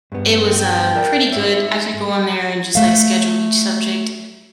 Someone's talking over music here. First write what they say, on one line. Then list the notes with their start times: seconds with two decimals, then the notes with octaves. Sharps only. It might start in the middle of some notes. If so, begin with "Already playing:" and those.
it was, uh, pretty good. I could go on there and just like schedule each subject,
0.12 G2 B3
0.53 G5
0.95 A#4 D5 E5
1.33 G#2 C#5 E5
2.75 A3 F5